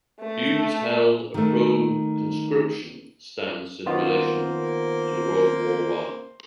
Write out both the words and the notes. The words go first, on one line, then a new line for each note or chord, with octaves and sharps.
Hughes held a pro-conscription stance in relation to World War One.
A3
D#3 A3
D#3 A#3 B3 F4 C5